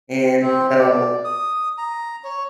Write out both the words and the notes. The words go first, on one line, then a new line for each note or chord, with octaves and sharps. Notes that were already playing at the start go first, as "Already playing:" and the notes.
and so
C4
D5
D#6
A#5
C#5